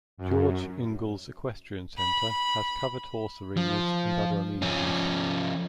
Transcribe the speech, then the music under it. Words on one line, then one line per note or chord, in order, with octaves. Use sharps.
George Ingalls Equestrian center has covered horse arenas and other amenities.
F#2
B5
F3
F3 C#4